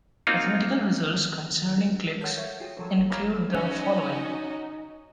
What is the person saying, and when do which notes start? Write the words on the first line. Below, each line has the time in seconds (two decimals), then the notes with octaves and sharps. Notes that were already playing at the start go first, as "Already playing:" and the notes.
Mathematical results concerning cliques include the following.
0.27 A#3 C4 D#4 F4 F#4
2.21 A4 A#4 C#5 F5 F#5 G6
2.38 C#5 E5
2.60 F4 F#4 G#4 G5
2.77 D3 F3 F#3 A4 A#4 C#5
2.98 G1
3.10 A#3 C#5 G#5 B5
3.51 C#4 D#4 F#4 D#5